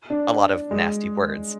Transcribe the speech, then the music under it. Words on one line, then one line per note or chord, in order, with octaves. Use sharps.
a lot of nasty words.
D4
G#3